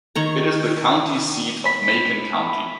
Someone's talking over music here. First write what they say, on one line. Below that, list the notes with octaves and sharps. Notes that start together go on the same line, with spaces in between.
It is the county seat of Macon County.
D#3 C#5 A#5
B5 B6